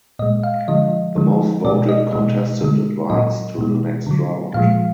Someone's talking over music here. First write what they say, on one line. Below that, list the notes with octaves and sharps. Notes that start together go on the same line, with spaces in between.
The most voted contestant advanced to the next round.
A#2 G#3 D#5
F5
D3 F3 G#3 D#5
D3 F3 G#3
B2 G#3 D5
D#5
B2 G#3
D3 G#3
A#2 F#3 D#5
B2 G#3
D3 F#3
A#2 F3 G#3 F5